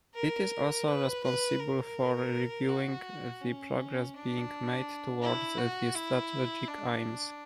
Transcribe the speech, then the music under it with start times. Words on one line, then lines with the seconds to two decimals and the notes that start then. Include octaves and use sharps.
It is also responsible for reviewing the progress being made towards the strategic aims.
0.15 A#4
0.88 B4
1.24 B4
1.59 A#4
2.69 F#4
3.41 C#4
4.14 D4
5.22 E4
5.58 F#4
5.95 E4
6.67 D4